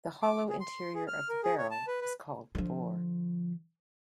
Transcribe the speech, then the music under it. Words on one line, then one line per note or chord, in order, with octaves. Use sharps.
The hollow interior of the barrel is called the bore.
D6
G#4
C6
G#4
F6
A#4
G#4
C#5
A5
B4
B4
D3 F3